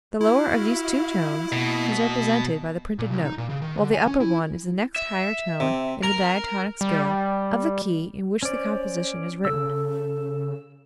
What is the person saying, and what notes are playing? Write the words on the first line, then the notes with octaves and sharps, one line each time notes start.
The lower of these two tones is represented by the printed note, while the upper one is the next higher tone in the diatonic scale of the key in which the composition is written.
E4 F#4 E5 F5
B2 A#3 D#5 E5
A#2
C2
D#4
A#2
C#3
D#3
D3
G#5
C#4
E4
E5
C3
A#4 A#5
G3
C#4 C5 D5
C#3 A4 E6